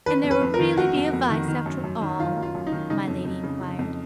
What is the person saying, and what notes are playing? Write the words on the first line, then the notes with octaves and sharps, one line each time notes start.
"And there will really be a Vice after all?" my Lady enquired.
D#3 B4
F2
B4
F2
A#4
D#3
D#3 F#4
F2
F2
D#3
D#3
F#2
F#2
D#3
D#3 F4
F#2
F4
F#2
D#4
D#3
C#3 D#4
F2
F2
C#3
C#3
F2